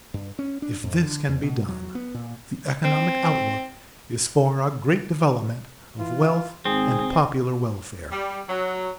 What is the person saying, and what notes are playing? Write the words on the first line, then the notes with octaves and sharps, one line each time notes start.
If this can be done, the economic outlook is for a great development of wealth and popular welfare.
G2
C#4
D4
F2
D3
E2
B2
F#3
B3
A#2
C4
E3 F4
G#1 C4 G#4
G3
F#3